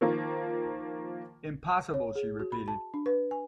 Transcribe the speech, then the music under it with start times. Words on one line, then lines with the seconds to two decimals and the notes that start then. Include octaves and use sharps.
"Impossible," she repeated.
0.01 D#3 F3 A#3
1.94 C#5
2.16 G#4
2.39 F#4
2.52 B5
2.68 A5
2.94 D4
3.06 B4
3.31 G#5